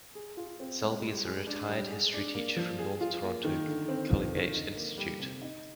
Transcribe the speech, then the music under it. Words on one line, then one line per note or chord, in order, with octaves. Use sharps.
Selby is a retired history teacher from North Toronto Collegiate Institute.
G#4
F4
C4
G#3
G3
G#4
D4
G3
G#4
D4
A#3
F3
G#4
F4
A#3
D#3
D3
C4
F3
D3
D#4
A#3
G3
C3
D#4